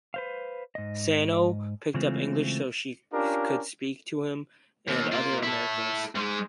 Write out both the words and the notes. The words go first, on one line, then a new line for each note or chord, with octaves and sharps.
Sano picked up English so she could speak to him and other Americans.
B4 C5 F5
G#2 D#5
C#3 E3 G#3 A3 C4 F4
C#4 D4 F4 G4 A#4
D#2
A#3 F4
E4 A4
G#2 G#3